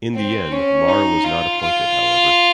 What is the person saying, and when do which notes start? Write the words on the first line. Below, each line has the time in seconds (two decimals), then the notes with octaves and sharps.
In the end, Mara was not appointed, however.
0.15 C4
0.51 C#4
0.88 D#4
1.25 F4
1.61 F4